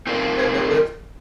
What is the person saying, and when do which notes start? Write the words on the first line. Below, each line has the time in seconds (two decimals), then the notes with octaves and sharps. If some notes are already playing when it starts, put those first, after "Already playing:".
The there was
0.07 C4 D#4 F4 A#4 D5